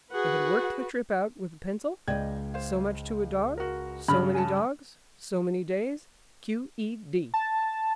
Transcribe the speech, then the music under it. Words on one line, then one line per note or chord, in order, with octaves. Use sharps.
They had worked the trip out with a pencil, so much to a dog, so many dogs, so many days, Q.E.D.
F#4 G#4 B4 F#5
C#2 D5 D#5 G5 G#6
C5 F5
F#4 A#4
G2 C#3 D5 B5 F6
G#5 A5
A5